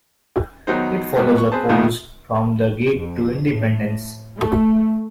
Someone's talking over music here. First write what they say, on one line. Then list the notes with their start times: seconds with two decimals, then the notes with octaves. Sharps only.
It follows a course from the gate to Independence.
0.67 E2 D#3 F#3 B3 D#4 C5
1.17 E2 G#2 B2 D#3 G3 B3
1.38 C#6
1.52 C4 G#4 B4 C5 A5
1.69 F2 A2 C3 D#3 D#4 E4
2.93 F2
3.49 A2
4.38 A3